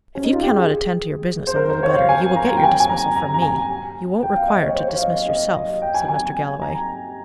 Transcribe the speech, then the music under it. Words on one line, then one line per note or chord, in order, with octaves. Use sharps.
"If you cannot attend to your business a little better, you will get your dismissal from me; you won't require to dismiss yourself," said Mr. Galloway.
C#4
D#4
F4
G4
G#4
C5
A#4
C5
C#5
F5
G#5
A#5
G5
G#5
G#5
A#5
A#5
A#5
G#5
G5
F5
D#5
C#5
C5
C#5
F5
D#5
F5
D#5
D#5
G5
G#5
G#5
A#5